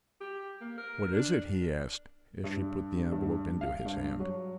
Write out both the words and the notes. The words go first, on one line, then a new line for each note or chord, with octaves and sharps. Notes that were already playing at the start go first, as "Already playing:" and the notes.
"What is it?" he asked, as she put the envelope into his hand.
G4
A#3
A#4
D4
G2
G2
F5
G2
F#3